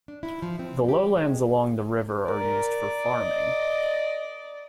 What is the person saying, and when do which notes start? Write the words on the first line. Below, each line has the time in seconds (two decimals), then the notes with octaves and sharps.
The lowlands along the river are used for farming.
0.08 D4
0.23 E4
0.42 F3
0.59 C4
0.88 G4
1.16 G#3
2.28 A#4 D5
3.05 D#5